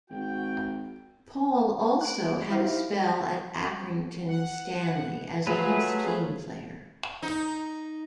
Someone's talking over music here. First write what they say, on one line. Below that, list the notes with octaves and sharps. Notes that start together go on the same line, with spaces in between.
Paul also had a spell at Accrington Stanley as a youth team player.
G#1 F#4 G5
F#6 D7
D#4 E4 G4 C5 F5
F#5
F#3 A3 F4 G#4 B4
D#4